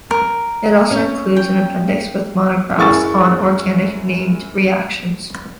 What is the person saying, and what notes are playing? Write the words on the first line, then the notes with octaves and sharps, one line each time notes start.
It also includes an appendix with monographs on organic named reactions.
A#4
C#4
G5
F#2 E3 G#4 C#6 A6